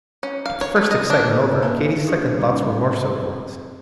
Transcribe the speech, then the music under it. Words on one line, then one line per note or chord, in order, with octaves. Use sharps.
But, the first excitement over, Katy's second thoughts were more sober ones.
C#4
F5
C#5
A3
D#5
D4
A#3 B4 C5 G#5 A5
D4 F4 G4 G#4
G3 C#4 D#4
C4